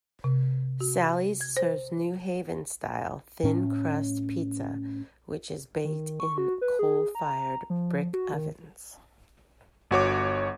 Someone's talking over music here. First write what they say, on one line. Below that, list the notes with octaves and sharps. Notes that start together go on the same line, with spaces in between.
Sally's serves New Haven-style thin-crust apizza, which is baked in coal-fired brick ovens.
C3
F#4
G#6
C5
A2 C#4
D#3
C#6
F#4
B4
G#4
A#5
F3
F#4
D#3
G1 F#4 C#5 D6